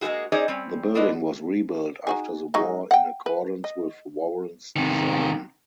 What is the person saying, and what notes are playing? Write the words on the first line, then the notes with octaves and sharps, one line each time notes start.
The building was rebuilt after the war in accordance with Warren's design.
G#3 A#3 B3 D#4 F#4 G#4
C#4 D#4 G#4 C5 D5 D#5
G3 C4 C#4
B3 D4 F4 B4 D#5
D#4 F#4 G#4
F#3 G#3 D#4
F#5 G5
B4
D#5
C3 D#3